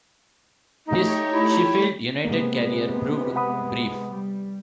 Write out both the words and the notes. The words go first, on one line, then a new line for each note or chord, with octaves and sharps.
His Sheffield United career proved brief.
A3 D#4 G4 C#5
E4
C3 G#3 A#3 B3
F#5 B5 D#6
G3